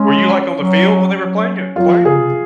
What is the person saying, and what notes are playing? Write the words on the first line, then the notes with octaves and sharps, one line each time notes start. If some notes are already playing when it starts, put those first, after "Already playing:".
Were you, like, on the field when they were playing it playing?
Already playing: G#3 C#4
F#3
F#3
F#3 F4
F3
C#3 G#4
C3